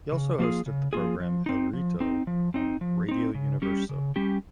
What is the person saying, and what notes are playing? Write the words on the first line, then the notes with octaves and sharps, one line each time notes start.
He also hosted the program El Rito on Radio Universo.
C#3
F3 A#3 F4 G#4
C#3
F3 A#3 F4 G#4
F3
C4 D#4
F3
C4 D#4
F3
C4 D#4
F3
C4 D#4
C#3
G3 C#4 G4
C#3
G3 C#4 G4